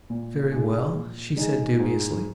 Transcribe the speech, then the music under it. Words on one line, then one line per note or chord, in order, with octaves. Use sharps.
"Very well," she said dubiously.
A#2
G#3 D#4 G#4
A#2
G#3 D#4 G#4
G#2